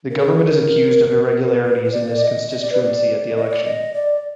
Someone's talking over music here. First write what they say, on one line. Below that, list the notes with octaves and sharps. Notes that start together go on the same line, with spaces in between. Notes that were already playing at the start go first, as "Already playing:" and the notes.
The government is accused of irregularities in this constituency at the election.
A#4
G#4
B4
A#4
B4
B4
D5
D#5
D#5
D5
B4
D5
D#5
D5
D#5
D5